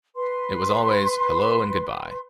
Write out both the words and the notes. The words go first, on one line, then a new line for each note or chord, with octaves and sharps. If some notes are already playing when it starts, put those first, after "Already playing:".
It was always 'hello and goodbye'.
B4 C6